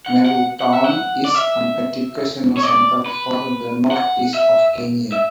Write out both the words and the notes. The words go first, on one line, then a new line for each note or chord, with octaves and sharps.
Meru town is an educational center for the northeast of Kenya.
F#5
F#5
F#5
E5
F#5
D5
E5
C#5
D5
B4
F#5
E5
E5